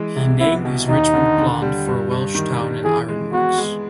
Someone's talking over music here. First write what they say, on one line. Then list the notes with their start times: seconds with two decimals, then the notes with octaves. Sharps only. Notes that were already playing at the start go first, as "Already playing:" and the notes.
He named his Richmond plant for a Welsh town and iron works.
Already playing: E3 G#3
0.16 C2
0.40 B3 E4
0.65 B2
0.89 D#2 D#4
1.14 D3
1.38 D3
1.62 G3
1.87 G2
2.11 G2
2.35 D#3
2.60 G3
2.84 E3 G#4
3.08 G#3
3.33 B3 F#4
3.58 G#3